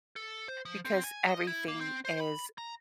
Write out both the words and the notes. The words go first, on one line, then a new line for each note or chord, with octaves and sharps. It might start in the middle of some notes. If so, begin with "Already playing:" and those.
because everything is
A4
C5
F3
C4
G#5
D#5
E4
A#3
C4
C5
B5
A#5